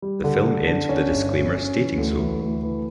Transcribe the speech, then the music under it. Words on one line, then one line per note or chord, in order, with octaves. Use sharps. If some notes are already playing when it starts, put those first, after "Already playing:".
The film ends with a disclaimer stating so.
G3
D3
D3
D4
C#4
G1
C#4
C#4
E3
D2
E3
D2
E3